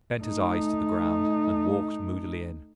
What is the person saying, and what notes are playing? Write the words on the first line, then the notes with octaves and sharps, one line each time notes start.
He bent his eyes to the ground, and walked moodily in.
A3 D#4